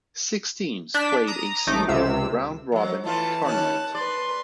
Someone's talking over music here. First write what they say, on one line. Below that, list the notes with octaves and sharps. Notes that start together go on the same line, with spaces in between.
Six teams played a single round-robin tournament.
D4 B6
A#5 D#6
A1 A3 D#4 D6
C#2 C3 E6
F2 F#3
E3 A3 F4 A5
D#2 C#4 A5 F#6
B4 D5 C6